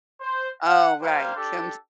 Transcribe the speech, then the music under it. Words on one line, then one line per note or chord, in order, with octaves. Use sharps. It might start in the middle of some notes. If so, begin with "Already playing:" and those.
Oh, right. Come t
C5
F#5
G3 A#3 C5 F5
D4 G4 A4